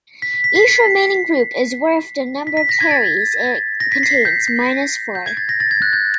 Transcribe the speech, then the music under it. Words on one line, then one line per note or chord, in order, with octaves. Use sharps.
Each remaining group is worth the number of peries it contains minus four.
B6
B6
B6
C7
B6
B6
B6
A#6
G#6
A6
A#6
B6
C7
B6
G6
G6
G6
G#6
A6
A#6
A6
G#6
F#6
G6